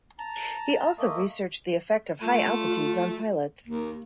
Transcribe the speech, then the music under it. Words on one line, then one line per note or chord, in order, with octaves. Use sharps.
He also researched the effect of high altitudes on pilots.
A5 A#5
A3 A#3 D#5
A3 F4
D#2 A#3